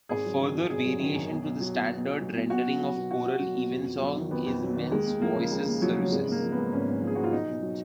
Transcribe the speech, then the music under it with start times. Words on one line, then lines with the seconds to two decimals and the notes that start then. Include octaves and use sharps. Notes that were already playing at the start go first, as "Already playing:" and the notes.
A further variation to the standard rendering of choral evensong is men's voices services.
0.09 G#1 G#4
0.25 F#3
0.39 D#3
0.55 F#2
0.70 G#1 G#4
0.85 F#3
1.00 D#3
1.15 F#2
1.30 B1
1.45 B1
1.60 F#3
1.75 B2
1.90 B1
2.05 B1
2.20 F#3
2.35 B2
2.50 B1 F#4
2.65 B1
2.81 F#3
2.96 B2
3.11 B1 F#4
3.25 B1
3.41 F#3
3.56 B2
3.71 F2
3.86 F2
4.01 F#3
4.16 D#3
4.31 F2 B3
4.46 F2
4.62 F#3
4.76 D#3
4.91 D#2 G#3
5.06 D#2
5.21 F3 A#3
5.36 C#3
5.51 D#2 G#3
5.67 D#2
5.82 F3 F#3
5.96 C#3
6.02 F#3
6.12 G#1 G#3
6.27 G#1 A#3
6.42 F3
6.52 G#2 B3
6.72 G#1 C#4
6.87 G#1
7.02 F3
7.07 G#4
7.15 G#2 F#4
7.24 F4
7.32 B1 D#4
7.47 B1
7.62 F#3